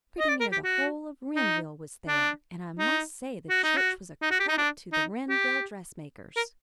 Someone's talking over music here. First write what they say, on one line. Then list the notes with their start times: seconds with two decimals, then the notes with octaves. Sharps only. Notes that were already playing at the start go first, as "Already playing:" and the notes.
Pretty near the whole of Wrenville was there, and I must say the church was a credit to the Wrenville dressmakers.
0.20 D#5
0.29 D5
0.40 A#4
0.52 G4
0.65 F#4
1.36 D#4
2.08 D4
2.79 D#4
3.50 F#4
3.64 D#4
3.77 F#4
4.22 D#4
4.31 F#4
4.40 G4
4.49 D#4
4.58 D4
4.93 D#4
5.29 G4
6.36 A#4